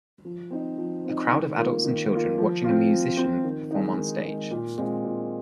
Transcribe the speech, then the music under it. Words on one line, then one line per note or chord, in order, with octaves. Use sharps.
A crowd of adults and children watching a musician perform on stage.
F3
C4 D#4
F3
C4 D#4
D#3
A#3 F4
D#3
A#3 F4
F3
C4 F4
F3
C4 F4
D#3
G#3 D#4
D#3
G#3 D#4
A#2
G#3 C4 F4
A#2